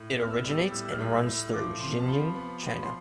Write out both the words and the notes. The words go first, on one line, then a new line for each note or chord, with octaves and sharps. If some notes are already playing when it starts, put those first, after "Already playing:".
It originates and runs through Xingning, China.
Already playing: A2
B3 F6
E6
G3
E6
A2 E6
E6
F6
A2
E6
A2
E6
F3 D6
C3 C6
A5
F3 B5
B3 B5
F3 B5
C6